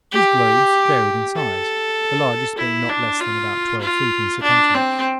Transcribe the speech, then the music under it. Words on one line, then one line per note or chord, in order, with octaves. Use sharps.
These globes varied in size, the largest being not less than about twelve feet in circumference.
G4
A4
E4
D4
F4
F4
D4
C4